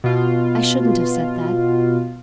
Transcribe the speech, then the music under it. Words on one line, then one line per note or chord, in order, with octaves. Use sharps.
I shouldn't have said that.
B2 F4